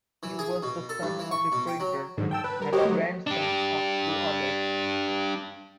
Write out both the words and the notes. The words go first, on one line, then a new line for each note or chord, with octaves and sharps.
He was the son of a printer, and grandson of two others.
E3
G#4
B2
A4
G2
E3
C#6
B2
G5
F#3
G#2 D3 D#3 F#3
G5 A5 E6
B4
G2 A#4
F#4 G4 A#4 C5 C#5 D#5
F#3 A3
D4 G4